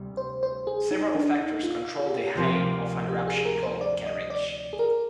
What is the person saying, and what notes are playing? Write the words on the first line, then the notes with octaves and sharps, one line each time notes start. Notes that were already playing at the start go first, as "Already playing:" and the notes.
Several factors control the height that an eruption column can reach.
Already playing: D2 C3 G3
C5
C5
G#4
D#4
D4
D#4
F4
G#4
G4
F4
G4
D2 C3 F3 A#3
G4
G#4
A#4
C5
D5
D#5
D5
G#4
A#4